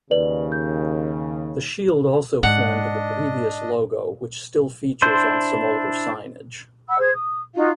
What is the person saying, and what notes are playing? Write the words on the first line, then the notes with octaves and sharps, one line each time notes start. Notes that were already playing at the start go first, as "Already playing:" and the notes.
The shield also formed the previous logo which still features on some older signage.
D#2 C#3 B4 D5 F#7
G6
G#2 D4 D#5 F#5
D4 E4 C5 C6 G6
F#5 B5 E6
G#4 C5 G#6
D#6
D#4 F4 F#4 F5